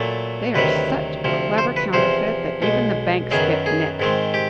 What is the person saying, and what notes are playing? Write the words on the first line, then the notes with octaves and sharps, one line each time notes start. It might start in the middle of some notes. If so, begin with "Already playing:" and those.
They are such a clever counterfeit that even the banks get nipped.
Already playing: A#2 F#3 A3
D2 C3 D#3 F#3 B4
D2 C3 F3
C5
B4
E2 C3 F3 C5
B1 B2 G#3
F#2 D#3 F#3 B3 G#4
G#4
G#2 D#3 G#3 C4
G4